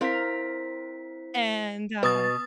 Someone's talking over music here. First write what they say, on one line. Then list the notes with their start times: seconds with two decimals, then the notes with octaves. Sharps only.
And, uh,
0.01 C4 E4 A#4 C5 F5 B6
2.03 B2 B4 D#6 A6